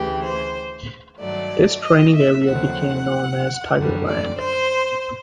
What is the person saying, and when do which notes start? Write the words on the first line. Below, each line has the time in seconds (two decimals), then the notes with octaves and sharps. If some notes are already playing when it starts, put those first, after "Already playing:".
This training area became known as Tigerland.
Already playing: D2 C#3 E3 G4
0.24 C5
1.19 G2 D#3 F#3 A3 D5
1.83 D#5
2.15 E5
2.48 D#2 C#3 F3 A3 C4 F#5
3.75 F#2 D3 G3
4.07 D5
4.39 C5